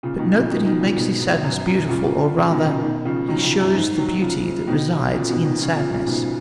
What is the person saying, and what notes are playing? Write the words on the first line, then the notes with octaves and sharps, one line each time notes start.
But note that he makes his sadness beautiful; or, rather, he shows the beauty that resides in sadness.
A#2 C#3
B2 D#3
A#2 C#3
B2 D#3
B2 D#3
A#2 C#3
G#2 B2
G#2
F#2
F#2 A#2
A#2 C#3
A#2 C#3
B2 D#3
A#2 C#3
B2 D#3
C#3 F3
D#3 F#3
C#3 F3
F#2
G#2
D#3 F#3
C#3 F3
B2 D#3
A#2 C#3
G#2 B2
B2 D#3
C#3 F3
A#2 C#3
A#2 C#3
G#2 B2